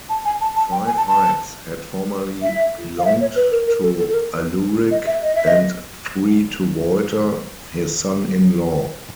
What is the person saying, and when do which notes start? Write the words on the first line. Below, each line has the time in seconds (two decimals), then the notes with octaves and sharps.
Five hides had formerly belonged to Aluric and three to Walter, his son-in-law.
0.09 A5
0.25 G#5
0.41 A5
0.56 A5
0.72 G5
0.87 G#5
0.97 A5
1.08 A5
2.42 E5
2.99 F5
3.05 E5
3.21 C#5
3.36 B4
3.51 A#4
3.67 A#4
3.83 A4
3.98 A4
4.09 A4
4.14 A#4
4.91 D#5
5.07 E5
5.23 D#5
5.35 E5
5.47 D#5